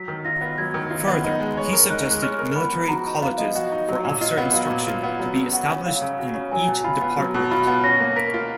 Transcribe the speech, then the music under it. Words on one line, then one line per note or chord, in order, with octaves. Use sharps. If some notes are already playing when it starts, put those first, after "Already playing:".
Further, he suggested military colleges for officer instruction be established in each department.
Already playing: F#3 B6
D#3
F4 A#6
B3
F#3 G#6
D#3
F4
B3
D#4
G#3
C#5
A#4
D#4 F#6
G#3
C#5 F6
A#4
B3 B5
F3
F#4 A#5
D#4
B3 F5
F3 D#5
F#4 D#5
D#4
F#3
A#2
F4 D#5
B3
F#3 F5
A#2
F4
B3
F#3
C#3
F#4 F#5
C#4
F#3 F5
C#3
F#4
C#4
F#3 G#5
B2
F4 B5
B3
F#3
B2
F4 B5
B3
C#4 A#6
A#3
A#4 B6
F4